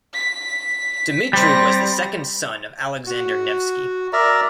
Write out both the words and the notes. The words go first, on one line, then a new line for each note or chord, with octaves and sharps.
Dmitry was the second son of Alexander Nevsky.
B6
G3 C4 A#6
F#4
A#4 D5 E5 A#5